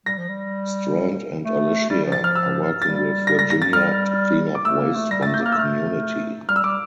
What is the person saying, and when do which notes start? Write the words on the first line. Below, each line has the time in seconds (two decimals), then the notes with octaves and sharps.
Strand and Alicia are working with Virginia to clean up waste from the community.
0.06 G3 A#6
0.18 F3
0.29 G3
1.44 A3
1.90 G3 A6
2.05 F3
2.12 A6
2.20 F3 F6
2.36 E6
2.81 G3 A6
3.27 A#6
3.39 A#6
3.50 A#6
3.62 A6
3.73 G3 F6
4.55 D6
4.65 A3 E6
4.80 A#3
4.96 A3
5.11 G3 A#6
5.22 A3 A6
5.34 G6
5.41 A#3 F6
5.52 E6
5.57 A3 F6
6.48 G3 F6
6.56 E6
6.64 G3 D6